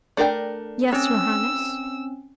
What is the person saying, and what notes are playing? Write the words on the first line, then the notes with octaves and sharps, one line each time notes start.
"Yes, your highness?"
A3 D4 A#4 D5 G5
C4 C#4 C#5 E6